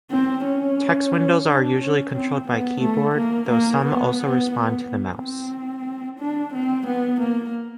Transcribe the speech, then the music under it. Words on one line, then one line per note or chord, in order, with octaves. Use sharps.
Text windows are usually controlled by keyboard, though some also respond to the mouse.
C4
C#4
D4
C#4
C4
B3
A3
A#3
A#3
B3
B3
B3
B3
C4
D4
C4
B3
A#3